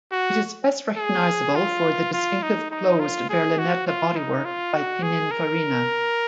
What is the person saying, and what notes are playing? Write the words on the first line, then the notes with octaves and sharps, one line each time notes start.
It is best recognisable for the distinctive closed berlinetta bodywork by Pinin Farina.
F#4
G#4
F4
F4
D#4
D#4
F4
G#4
F#4
F4
D#4
F4
F#4
G#4
A#4